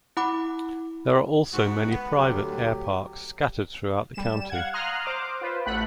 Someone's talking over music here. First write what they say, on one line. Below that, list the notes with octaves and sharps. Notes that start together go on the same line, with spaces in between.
There are also many private airparks scattered throughout the county.
E4 F#5 B5 D6
G#2 F#4
B3
D2 F#3 G4
G3 E7
F5 F#5 G#6
A#5 C6 D#6 F6 F#6
C5 D6
F4 B4 C5
A1 A2 A3 F#5 B5 F#6